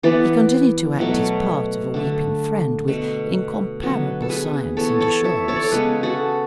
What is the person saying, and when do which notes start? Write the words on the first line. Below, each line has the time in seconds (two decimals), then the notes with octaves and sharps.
He continued to act his part of a weeping friend with incomparable science and assurance.
0.03 E3 B3 B4 D5
0.99 B2 F#3 A3
1.94 D3 A3
2.88 B2 A3
3.83 D3 F#3 B3
4.22 A4
4.29 G#4 B4
4.77 E3 B3 A4 C#5
5.00 A4 C#5
5.24 C#5 E5
5.48 A4 C#5
5.56 D5
5.64 C#5
5.72 C#3 G#3 B3 G#4 B4
6.03 F#4 A4